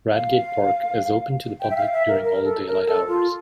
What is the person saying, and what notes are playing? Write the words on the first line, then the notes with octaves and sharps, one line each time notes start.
Bradgate Park is open to the public during all daylight hours.
F5
G5
E5
F5
E5
A#4
A#4
A4
A#4
A4
F4